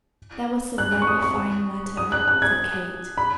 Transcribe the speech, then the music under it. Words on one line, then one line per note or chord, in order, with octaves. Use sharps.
"That was a very fine letter," said Kate.
F#6
F#6
C#6
D#6
C#6
D#6
F#6
F#6
G#6
B5